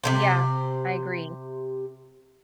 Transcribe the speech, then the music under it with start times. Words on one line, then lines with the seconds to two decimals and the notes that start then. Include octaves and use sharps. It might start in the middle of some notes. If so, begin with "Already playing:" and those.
Yeah, I agree.
0.04 C3 E3 C5